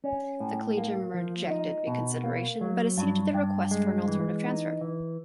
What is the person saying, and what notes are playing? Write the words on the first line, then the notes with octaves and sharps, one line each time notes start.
The collegium rejected reconsideration but acceded to the request for an alternative transfer.
C#4
A2
A#3
F3
D#4
B2
A#3
F#3
G2
G2
G#3
E3
D#4
E3